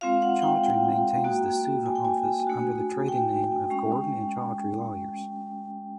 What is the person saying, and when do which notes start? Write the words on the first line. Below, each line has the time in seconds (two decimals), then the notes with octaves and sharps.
Chaudhry maintains the Suva office under the trading name of Gordon and Chaudhry Lawyers.
0.01 G#3 C4 F4 F5
0.22 F#5
0.42 G5
0.64 G5
1.24 A#3 D#4 F#4
1.86 G#5
1.95 G5
2.05 G#5
2.47 A3 D4 F#4
3.08 G5
3.70 G#3 C#4